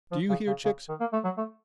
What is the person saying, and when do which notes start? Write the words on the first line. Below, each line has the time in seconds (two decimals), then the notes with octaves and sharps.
Do you hear, chicks?
0.12 F3
0.29 C#3
0.47 C#3
0.65 C#3
0.89 D#3
1.00 A#3
1.13 A3
1.24 F#3
1.37 A3